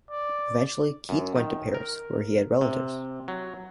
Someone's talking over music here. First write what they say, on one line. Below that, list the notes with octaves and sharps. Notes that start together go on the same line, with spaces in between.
Eventually, Keith went to Paris, where he had relatives.
D5
F#2
D#3
A#4
C3
F#3